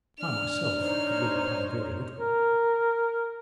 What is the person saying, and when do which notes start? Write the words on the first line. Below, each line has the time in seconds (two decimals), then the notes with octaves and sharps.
I myself could live upon very little.
0.20 D4 F6
0.80 D#4 C5 C#5
2.19 A#4